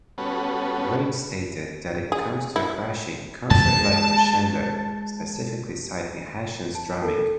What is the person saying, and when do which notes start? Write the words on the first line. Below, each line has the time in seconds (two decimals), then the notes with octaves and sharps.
Grein stated that it "comes to a crashing, concert-like crescendo", specifically citing Hashian's drumming.
0.18 G3 B3 C#4 F#4 A4 B4
2.12 G#4
2.56 E4
3.51 F#2 E3 A5
3.76 G#3
6.75 A5
7.02 A4 A#4